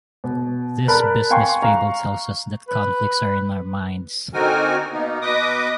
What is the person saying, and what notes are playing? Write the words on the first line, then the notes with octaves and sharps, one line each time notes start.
This business fable tells us that conflicts are in our minds.
B2
A#4 B4 D5 A5 B5 F#6
F5 G5 G#5 C6 C#6
F5 A#5 C#6
B4
D3 C4 D#4 F#4 A#4 G#5
B2 A#3 B3 D#4
B2 B4 D#5 D6 D#6